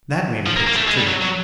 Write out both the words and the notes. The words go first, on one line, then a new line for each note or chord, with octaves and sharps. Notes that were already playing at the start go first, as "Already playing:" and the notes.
That made a picture, too!
F3
A#3
A#3
A3
G#3
G3
F#3
F#3